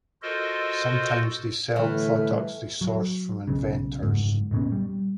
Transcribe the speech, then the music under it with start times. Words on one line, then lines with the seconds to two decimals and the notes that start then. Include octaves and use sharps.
Sometimes, they sell products they source from inventors.
0.22 F4 F#4 A4 A#4 C5 D#5
1.76 A2 D3 E3 G3 A3 B4 F6
2.81 F#3
3.47 B1 C#3
4.02 F#1 G#2
4.51 F#1 A#2 B3 C#4
4.72 G3